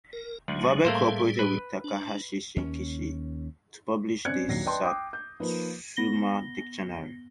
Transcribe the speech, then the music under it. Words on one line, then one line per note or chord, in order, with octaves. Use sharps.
Verbeck cooperated with Takahashi Shinkichi to publish the "Satsuma Dictionary".
A#4
D2 D3 F#3 G#3
A2 G3 A3 A#3 G#4 C5
B4
D4
D#2 C#4
C4 C#4 D5 F#6 G#6 C#7
A#1 D#2 F#3 A#6 C7
B4 D5 D#5 G5 A5 C6
G5 D6 D#6
G6
F3 A#3 D#4 B4
B3 A#6 G7